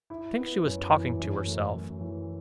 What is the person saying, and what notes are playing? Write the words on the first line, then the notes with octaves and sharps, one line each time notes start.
I think she was talking to herself.
E4
B3
F#2
E3
F#2
A3
F#2
E3